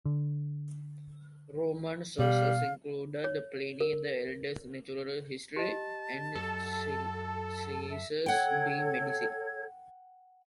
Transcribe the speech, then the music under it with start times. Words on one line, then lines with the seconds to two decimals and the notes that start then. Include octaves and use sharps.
Roman sources included Pliny the Elder's "Natural History" and Celsus's "De Medicina".
0.05 D3
2.19 B2 G3 F5
3.24 C#5
3.81 A#4
5.56 G4 D#5 A5
6.35 F#2 A4
7.90 E5
8.26 A4 C#5 F#5 G5 G#6